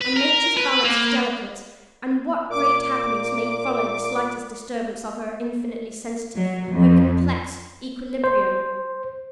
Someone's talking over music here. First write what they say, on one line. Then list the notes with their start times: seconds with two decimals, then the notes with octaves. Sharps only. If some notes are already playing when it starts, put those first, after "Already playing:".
And Nature's balance is delicate; and what great happenings may follow the slightest disturbance of her infinitely sensitive, her complex, equilibrium?
0.01 B4
0.16 A#4
0.57 B4
0.84 A#3
2.50 A#2 D6
6.36 F#3
6.72 F2
8.24 C5